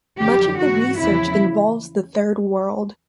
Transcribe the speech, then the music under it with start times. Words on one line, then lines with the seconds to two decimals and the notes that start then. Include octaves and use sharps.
Much of the research involves the Third World.
0.19 F2 D3 F#3 G4
0.59 G#2 E3 F#4
0.98 E2 C#3 F3 E4